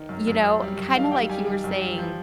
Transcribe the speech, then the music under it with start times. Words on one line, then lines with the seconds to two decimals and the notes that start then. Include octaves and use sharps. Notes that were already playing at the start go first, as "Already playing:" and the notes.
you know, kinda like you were saying
Already playing: D#3
0.09 F#2
0.27 F#2
0.44 F#2
0.62 G3
0.78 F#2
0.95 D#3 F5
1.12 G3 G5
1.29 G3 G#5
1.46 D#3
1.64 F#2
1.80 G3
1.98 F3